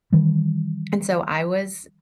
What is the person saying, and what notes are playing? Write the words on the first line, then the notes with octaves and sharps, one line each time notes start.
and so I was,
D#3 E3 G3